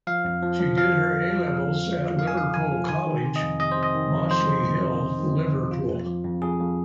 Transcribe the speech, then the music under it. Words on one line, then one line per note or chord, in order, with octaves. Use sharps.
She did her A-levels at Liverpool College, Mossley Hill, Liverpool.
F3 F5
F2
F3
F3
F3 F5
F3
F3
F3
F2
F2
F2
F3
F2 F5
G#5
F3 F5
F3 G#5
F3
D#3 G#5
D#3
C3
D#5
F2
C3 D#5
C5
C3
D#5
D#3
F2
F2 C5
F2
C3
F2
F2
D#3
F2
F2
F2 F4
F2
F3
F2
F2 G#4
F2